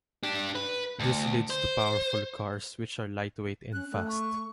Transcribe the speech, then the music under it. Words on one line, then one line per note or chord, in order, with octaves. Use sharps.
This leads to powerful cars which are lightweight and fast.
D4 G4
B4
D2
C5
C#4 F#6
A3
C#6